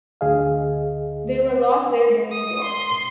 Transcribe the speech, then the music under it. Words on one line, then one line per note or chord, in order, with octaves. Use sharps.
They were lost there during the war.
D2 D3 G#4 D#5 F5
D#6
C6